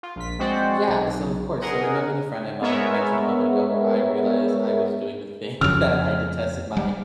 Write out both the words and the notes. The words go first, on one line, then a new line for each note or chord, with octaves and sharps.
Yeah. So, of course. So, remember the friend I mon mentioned a moment ago, where I realized I was doing the thing that I detested my
F4
A#1 B6
G#3 C4 F#4 C5 D5 F#5
B1
G#4 A#4 D#5 F#5
G#3 B3 A#4 C#5 E5
F2 C#3 F6
G3